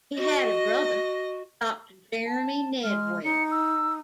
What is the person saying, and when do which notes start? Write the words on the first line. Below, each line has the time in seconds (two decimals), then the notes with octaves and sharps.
He had a brother, Doctor Jeremy Nedwell.
0.18 F#4 D#5 A#6
2.26 A5
2.84 G#3 F6
3.24 D#4 C#7
3.52 E6